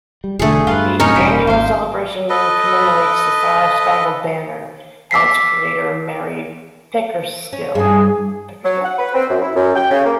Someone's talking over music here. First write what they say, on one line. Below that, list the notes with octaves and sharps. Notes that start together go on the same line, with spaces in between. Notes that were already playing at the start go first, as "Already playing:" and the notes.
The annual celebration commemorates the Star-Spangled Banner and its creator Mary Pickersgill.
G3
E1 D3 A3 G#4
G2 F4 A4 B4
F#2 A2 C3 C#4 D#4 A#4 C#5
E1 G3 C5 B5
G#1 A#3 C5 F5
A4 B4 D#5
D6 E6 B6 C7
C#4
G2 E3 G#4
F#3
F#5
B4
C4
F#2
E4
F#2
G5
C#3
A#3